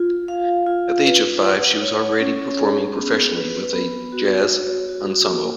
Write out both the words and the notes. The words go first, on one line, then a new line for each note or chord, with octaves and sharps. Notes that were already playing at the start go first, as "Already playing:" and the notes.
At the age of five, she was already performing professionally with a jazz ensemble.
Already playing: F4
F5
F4
B4
F#5
C#5
C#4
G#4
B3
B4
B3
F#4
C#5
F#4
A#3